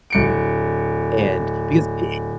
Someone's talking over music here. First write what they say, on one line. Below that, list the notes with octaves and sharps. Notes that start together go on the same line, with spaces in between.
and because it
D1 C#7 D7